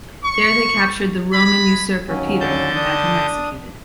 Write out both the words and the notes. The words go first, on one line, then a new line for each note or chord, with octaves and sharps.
There they captured the Roman usurper Peter and had him executed.
C#6
G#3 B5
D#2 F#3 C#4
D3 A5 G6
D4 D#6